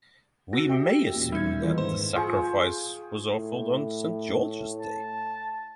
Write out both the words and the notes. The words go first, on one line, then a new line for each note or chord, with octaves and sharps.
We may assume that the sacrifice was offered on St. George's Day.
F#4 E6 A#6
G4 E5 G5
E1 A#2 C#4
G3 D#4 E5 G#6
D#3 E3 F4 G#4
G#1 B4 C5 C6
F4 G#4 G5 C#6
A2
A5